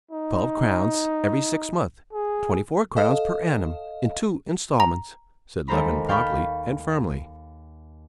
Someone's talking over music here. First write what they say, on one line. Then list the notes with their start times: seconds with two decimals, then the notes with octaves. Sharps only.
"Twelve crowns every sixth month, twenty-four crowns per annum, in two instalments," said Levin promptly and firmly.
0.11 D#4
2.13 G#4
2.97 A4 D#5 F5
4.80 A#5
5.68 D#2 G#3 A4 C5 A#5 B5
6.09 F5 G5 A5 B5 C#6